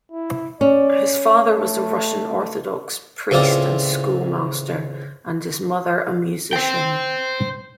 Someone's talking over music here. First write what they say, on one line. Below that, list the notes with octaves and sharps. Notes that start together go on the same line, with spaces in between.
His father was a Russian Orthodox priest and schoolmaster, and his mother a musician.
E4
C#4 D5
A3
C#2 A2 C4 F4 D5 D#6
C5 G5